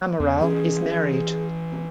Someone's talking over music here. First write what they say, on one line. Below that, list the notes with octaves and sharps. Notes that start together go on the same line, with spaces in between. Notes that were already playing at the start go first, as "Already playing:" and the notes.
Amaral is married.
E2
E3 C#4 G#4